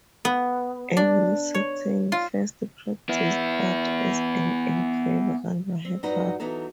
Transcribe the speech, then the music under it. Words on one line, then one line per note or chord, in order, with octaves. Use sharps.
Emily Sartain first practised art as an engraver under her father.
B3
D4
C#5
F4
B3 E4
C4
G2 F#3 D#4 F#4 B4 F#5
E3 F#3 B3 D#4 A4